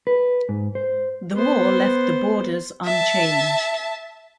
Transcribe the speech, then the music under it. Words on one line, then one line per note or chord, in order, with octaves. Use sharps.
The war left the borders unchanged.
B4
G#2
C5
B3 C5
E5 A5